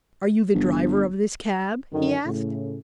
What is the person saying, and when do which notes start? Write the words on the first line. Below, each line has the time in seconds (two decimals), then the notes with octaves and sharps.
"Are you the driver of this cab?" he asked.
0.55 G1
1.93 F#2 D3 D#3
2.25 A2 C#3